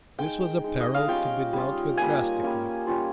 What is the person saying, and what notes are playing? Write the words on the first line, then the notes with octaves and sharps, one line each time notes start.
This was a peril to be dealt with drastically.
G#3 D#4 G5
G#3 D#4
D#5
F5
G3 C#4 F4 G5
G3 C#4 F4
G3 A#3 C#4 G#5
G3 A#3 C#4
G3 C#4 F4